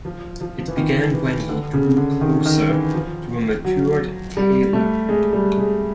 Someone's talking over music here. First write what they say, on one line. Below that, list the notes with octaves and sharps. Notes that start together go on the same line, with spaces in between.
It began when he grew closer to a matured Taylor.
F3
F3
F3
E3
D#3
E3
D3
C#3
D3
D#3
D#3
E3
F3
F#3
G3
A3
G#3
G3
G#3